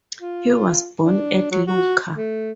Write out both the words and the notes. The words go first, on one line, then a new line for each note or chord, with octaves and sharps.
He was born at Lucca.
F4
D4
F#3
F#4
A3